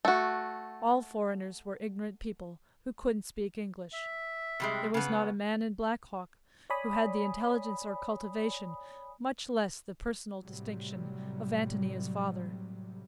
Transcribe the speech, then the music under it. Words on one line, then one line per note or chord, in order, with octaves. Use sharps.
All foreigners were ignorant people who could n't speak English. There was not a man in Black Hawk who had the intelligence or cultivation, much less the personal distinction, of Antonia's father.
A3 F#4
E5
C3 G3 G#3
C#3 B3
C#5 D5 G#5 B5 D#6
A2 C3 F#3 G3